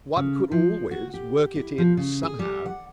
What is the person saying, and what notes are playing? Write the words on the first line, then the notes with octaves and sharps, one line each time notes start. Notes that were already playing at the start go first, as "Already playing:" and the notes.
"One could always work it in somehow."
C#3
F3
F#4
G4
E4
F3
C#3
G#4
G3
F#5